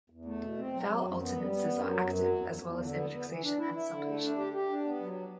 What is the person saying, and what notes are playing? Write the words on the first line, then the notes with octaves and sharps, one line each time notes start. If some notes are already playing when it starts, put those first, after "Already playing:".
Vowel alternances are active, as well as infixation and suppletion.
E2
A3
B2
C4
F#3
F#3
F#2
B3
G3
B3
F#2
F#3
F#2
F#3
E2
E2
E2
D3
B3
B3
E3
D4
E4
E4
D3
A3
D4
G4
G4
D4
B3
F#3